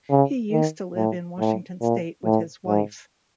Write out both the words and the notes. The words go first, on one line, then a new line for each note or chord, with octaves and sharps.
He used to live in Washington state with his wife.
C#3
D#3
A2
A2
A#2
A2
G#2